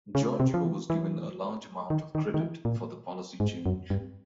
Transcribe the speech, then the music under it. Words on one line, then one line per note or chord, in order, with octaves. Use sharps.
Georgiou was given a large amount of credit for the policy change.
C#3
C3
F3
E3
E3
D#3
D#3
D#3
E3
A#2
G#2
F#2
G2